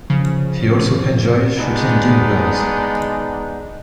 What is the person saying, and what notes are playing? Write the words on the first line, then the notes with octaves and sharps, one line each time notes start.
He also enjoys shooting game-birds.
C#3 F3
G#3 B3 D4 D#4